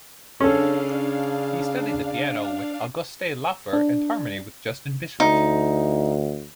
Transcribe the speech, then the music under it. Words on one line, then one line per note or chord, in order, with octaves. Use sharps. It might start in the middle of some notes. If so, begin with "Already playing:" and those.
He studied the piano with Auguste Laufer and harmony with Justin Bischoff.
C#3 C#4 D4 A4 F5
D4
D2 D#4